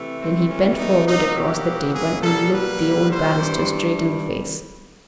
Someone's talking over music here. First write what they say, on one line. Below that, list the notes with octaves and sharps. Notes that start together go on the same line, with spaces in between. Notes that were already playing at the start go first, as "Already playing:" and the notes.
Then he bent forward across the table and looked the old barrister straight in the face.
Already playing: C3 E3 A3
C4
C#4
D#4
B2 F#3 A#3 D#4
G4
G#4
B2 G3 A#3 A4
B4
C5
G2 E3 G3